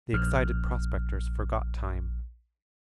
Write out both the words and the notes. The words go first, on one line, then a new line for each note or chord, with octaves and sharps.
The excited prospectors forgot time.
A#1 F6